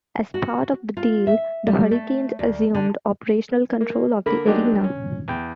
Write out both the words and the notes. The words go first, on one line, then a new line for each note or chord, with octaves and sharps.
As part of the deal, the Hurricanes assumed operational control of the arena.
F#4
F4
E5
G3
A3
D2
D3
A#3
D3 A#3 A#4 B5
F#3 G#3 A#3 D4 D#4 G4
C#4
E2 G5